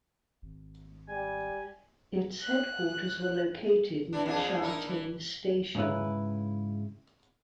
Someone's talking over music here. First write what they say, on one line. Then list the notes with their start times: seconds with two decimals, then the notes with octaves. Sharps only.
Its headquarters were located near Sha Tin Station.
0.42 G#1
1.09 G3 G#5
2.41 F#6
4.13 E3 D4
4.26 F2 D4 G#4
4.62 D#4 E4 A#4
4.87 E3
5.75 G#2 C#3 E4 B4